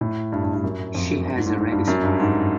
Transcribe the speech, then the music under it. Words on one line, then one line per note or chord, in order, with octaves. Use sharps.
She has a ready smile.
A2
G2
G2
G2
F#2
F2
F#2
G2
G#2
G#2
G#2
G2
F#2
G2
G#2